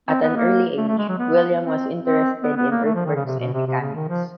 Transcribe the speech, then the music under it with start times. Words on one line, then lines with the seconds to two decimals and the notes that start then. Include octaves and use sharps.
At an early age, William was interested in earthworks and mechanics.
0.09 C4
0.22 B3
0.36 A#3
0.77 A3
0.88 A3
0.98 G#3
1.08 F#3
1.18 B3
1.60 C4
2.02 C4
2.43 B3
2.56 B3
2.70 A#3
2.84 A3
2.95 F3
3.05 D#3
3.15 C#3
3.26 C3
3.39 B2
3.53 C3
3.67 C3
3.80 C#3
3.95 D#3
4.08 F3